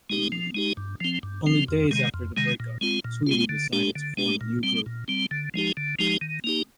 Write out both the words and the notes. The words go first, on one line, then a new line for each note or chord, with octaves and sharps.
Only days after the breakup, Tweedy decided to form a new group.
G#3 D#4 G4
F3
G#3 D#4 G4
G2
F3 C4
G2
F3 C4
F2
C3 D#3 G#3
F2
C3 D#3 G#3
A#2
G#3 C4 F4
A#2
G#3 C4 F4
D3
G#3 D4 G4
D3
G#3 D4 G4
A#2
G3 C4
A#2
G3 C4
D3
F3 G#3 D#4 G4
D3
F3 G#3 D#4 G4
D#3
A#3 D#4 G4